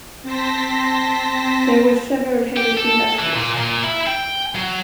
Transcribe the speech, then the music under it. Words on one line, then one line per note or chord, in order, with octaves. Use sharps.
There were several heavy industries.
C4 C5 A5 A#6 B6
G4
A4
E3
A#2
A#2
E4
G5
F#3